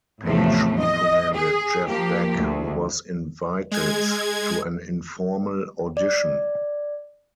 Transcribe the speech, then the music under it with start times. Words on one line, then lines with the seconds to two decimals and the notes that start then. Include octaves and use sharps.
Page recommended Jeff Beck, who was invited to an informal audition.
0.24 E2 A2 C3 F3 A3
0.79 D#5
1.34 G#4
1.88 F3 A#3 G4
2.35 D2
3.71 G#3 G#6
5.97 D5